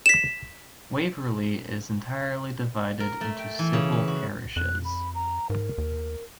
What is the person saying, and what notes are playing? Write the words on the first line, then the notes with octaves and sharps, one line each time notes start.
Waverley is entirely divided into civil parishes.
B6 E7
A#4
A3
G5
E3
C#3
B4
F#4
F2 F#6
B5
A#5
G#2 A#4
D#2